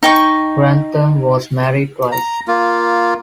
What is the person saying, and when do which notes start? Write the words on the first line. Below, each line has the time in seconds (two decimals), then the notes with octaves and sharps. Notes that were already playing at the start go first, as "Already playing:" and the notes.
Grantham was married twice.
0.03 D#4 G5 C#6
2.12 A#5
2.48 A#3 F4